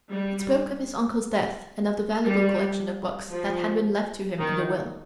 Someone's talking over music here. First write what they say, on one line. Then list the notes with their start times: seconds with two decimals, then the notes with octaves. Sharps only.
It spoke of his uncle's death and of the valuable collection of books that had been left to him in the will.
0.10 G3
2.24 G3
3.31 F3
4.39 D#3